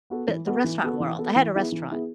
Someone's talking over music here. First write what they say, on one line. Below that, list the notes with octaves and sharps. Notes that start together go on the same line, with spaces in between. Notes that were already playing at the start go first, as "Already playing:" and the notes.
b the restaurant world? I had a restaurant.
B3 F#4 A4
E3
B3 F#4 A4
E3
B3 F#4 A4
E3
B3 F#4 A4
E3
B3 E4 G#4
E3
B3 E4 G#4